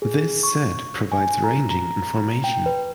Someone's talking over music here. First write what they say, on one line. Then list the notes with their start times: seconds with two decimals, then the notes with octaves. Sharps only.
This set provides ranging information.
0.02 G#4
0.43 C#6
1.12 G#5
1.44 A#5
1.71 A#5
2.44 G5
2.66 B4